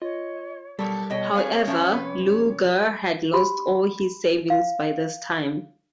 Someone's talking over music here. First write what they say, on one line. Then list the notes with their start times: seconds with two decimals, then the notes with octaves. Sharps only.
However Luger had lost all his savings by this time.
0.02 F4 C#5 D#5
0.79 B2 F#3 G3 G4 A4 A#4
1.10 B2 C#5 D#5 G5
1.35 C4 G#4 A4 B4 F5 G#5
1.68 F3 F#3 C#4 C5 E5
1.91 F2 C3 B4
3.33 G4 B5 C6
4.50 F5